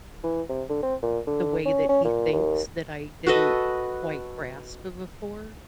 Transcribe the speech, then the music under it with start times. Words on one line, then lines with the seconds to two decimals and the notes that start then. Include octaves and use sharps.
the way that he thinks, that I didn't quite grasp b before,
0.24 E3
0.49 C3
0.70 D3
0.83 C4
1.02 A#2
1.27 D3
1.66 C#4
1.89 C#4
2.05 A#2
2.33 D#2
3.26 F#4 A4 B4 D#5